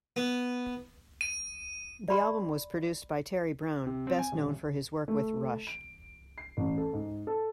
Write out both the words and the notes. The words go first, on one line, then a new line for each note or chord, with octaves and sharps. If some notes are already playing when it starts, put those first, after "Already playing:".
The album was produced by Terry Brown, best known for his work with Rush.
B3
D#7
D5 B5 C6
C3
C4
G#5
D#1
A3
D7
C7
A1
A4
G#2
A4